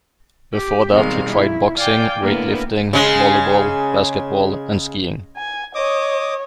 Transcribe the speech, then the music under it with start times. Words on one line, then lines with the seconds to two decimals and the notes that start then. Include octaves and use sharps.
Before that he tried boxing, weightlifting, volleyball, basketball and skiing.
0.53 G4
0.92 B2 D#3 G3 G#3 C4 F5
1.32 E4
1.77 D5 F5 G5 G#5 D6
2.23 A2 D3 A#3 B3 E4
2.93 C#3 G#3
5.36 G#5
5.75 C#5 D#5 D6 D#6